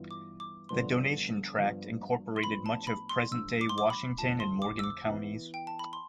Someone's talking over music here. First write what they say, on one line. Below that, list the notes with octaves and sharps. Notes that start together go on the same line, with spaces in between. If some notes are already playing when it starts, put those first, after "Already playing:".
The Donation Tract incorporated much of present-day Washington and Morgan counties.
Already playing: G2 E3 B3 F4
D6
D6
G2 D3 F3 B3 D4 C6
G2 F3 B3
C6
A2 F3 B3 D4 B5
A5
B5
C6
G2 F3 A3 D4 F4 E6
D6
C6
D6
B5
F2 D3 A3 D4 F4 A5
C6
D6
E6
D6
E3 B3 E4
G5
A5
B5
C6